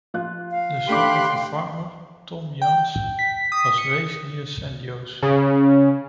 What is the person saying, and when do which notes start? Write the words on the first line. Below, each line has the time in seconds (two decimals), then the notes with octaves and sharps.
The son of a farmer, Tom Jans was raised near San Jose.
0.14 F3 F4 F#6
0.51 F5
0.88 A3 D4 G4 G5 B5 C6 D6 F#6
2.62 G5
3.19 B6
3.52 D#6
3.78 C#7
5.23 C#3